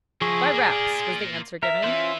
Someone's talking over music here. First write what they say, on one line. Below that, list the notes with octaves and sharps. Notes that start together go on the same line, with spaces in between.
"By raps," was the answer given.
F3 A#3 E4 G#4 C#6
A#3 F4 D5
A#4 E5
E3 C#4 F4 C5